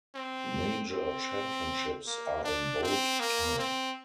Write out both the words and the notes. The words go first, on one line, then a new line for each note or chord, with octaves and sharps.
Major championships are in bold type.
C4
C4
A#3
D4
C4
A#3
C4